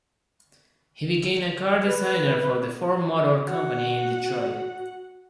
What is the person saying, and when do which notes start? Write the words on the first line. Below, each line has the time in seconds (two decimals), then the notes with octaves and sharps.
He became a car designer for the Ford Motor Company in Detroit.
1.81 B4
3.47 F#4 F#5